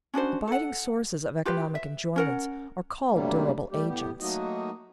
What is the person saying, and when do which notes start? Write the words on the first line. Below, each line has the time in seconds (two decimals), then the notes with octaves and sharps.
Abiding sources of economic enjoyments are called durable agents.
0.14 C#4 D4 F#4 C5
0.47 A4 F#5
1.45 F4 G4 B4
1.75 E5
2.16 C#4 A#4 F#5
3.12 G2 C3 F#3 G3 A3 A#3
3.71 G3 A3 G4
3.87 A2 B3 G4
4.21 F#3 A3 A#3 D#4 F#4 D#5